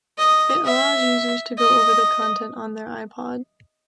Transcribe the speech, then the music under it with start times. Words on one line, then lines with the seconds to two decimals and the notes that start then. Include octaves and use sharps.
It allows users to go over the content on their iPod.
0.18 D#5
0.65 E5
1.59 D#5